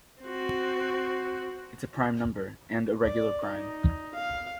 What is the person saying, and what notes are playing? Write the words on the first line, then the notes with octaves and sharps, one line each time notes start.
It is a prime number, and a regular prime.
C4 F#4
D5
D#4
F5